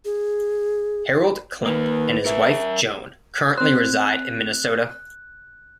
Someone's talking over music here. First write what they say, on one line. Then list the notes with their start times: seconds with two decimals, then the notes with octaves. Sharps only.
Harold Klemp and his wife, Joan, currently reside in Minnesota.
0.05 G#4
1.66 D#3 A#3 B4
2.26 A#4 E5
3.58 C4 C5 F#6